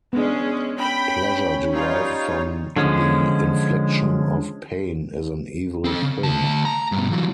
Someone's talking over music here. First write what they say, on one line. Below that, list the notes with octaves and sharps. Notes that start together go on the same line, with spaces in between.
Pleasure derived from the infliction of pain is an evil thing.
G#3 B3 C#4 D4
C#4 G5 B5
G3 D#4 F4 C#5
D3 F3 G#3 C#4
C4 A4
C#3
D2 A5
A#5
G2 B2
E3 F#3